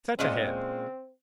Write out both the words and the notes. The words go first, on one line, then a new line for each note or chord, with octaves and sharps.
Such a head!
A#2 G#3 C4 C#4